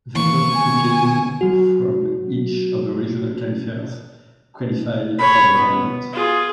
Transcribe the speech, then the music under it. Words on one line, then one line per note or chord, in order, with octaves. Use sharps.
The top two teams from each of the regional qualifiers qualify for the tournament.
D#3 E3 A#3 C#6
D#3 B3 G#5
F#3 F#4
C#5 B5
B3
F4 G#4